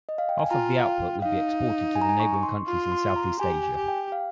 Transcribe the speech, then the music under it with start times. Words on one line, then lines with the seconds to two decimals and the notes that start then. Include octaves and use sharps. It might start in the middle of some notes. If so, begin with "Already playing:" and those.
Half of the output would be exported to the neighbouring countries in Southeast Asia.
0.09 D#5
0.18 F5
0.29 G5
0.39 G#5
0.50 F4 A#5
0.80 F5
0.86 G5
1.22 D#4 F5
1.96 G#5
2.02 A#5
2.09 G#5
2.20 C#6
2.34 C#6
2.43 C6
2.67 F4 C6
2.92 C6
3.09 C6
3.16 A#5
3.40 G4 G#5
3.63 G#5
3.76 G4
3.88 G5
4.12 F5